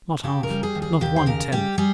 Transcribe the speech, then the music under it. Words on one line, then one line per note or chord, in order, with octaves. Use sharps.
Not half--not one-tenth.
C#3 G4
A#4
G3
G#4
D#2
G#4
D#2 G4
C5
C#3 A#4
G3 G4
G3 G#4